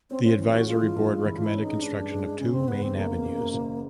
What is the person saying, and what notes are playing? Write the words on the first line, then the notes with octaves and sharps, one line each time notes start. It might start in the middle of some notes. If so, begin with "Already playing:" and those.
The Advisory Board recommended construction of two "Main Avenues".
C4 C#4
C4 C#4
E3 C4
C#4 F#4
G#3 F4
E3
G2
G#3
E3 E4
E3 F4
E4
C#4
D#4
G#3
G#3 D4
G2
G#3
G#3
C#3 C#4
F#1 C4
C#3 B3
E2 C4
F#1 A#3
E2
F#1
F#1
F#1